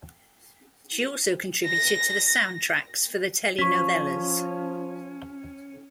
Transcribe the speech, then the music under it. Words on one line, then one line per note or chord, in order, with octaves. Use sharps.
She also contributed to the soundtracks for the telenovelas.
A#6
F3 C#4 C#6 B6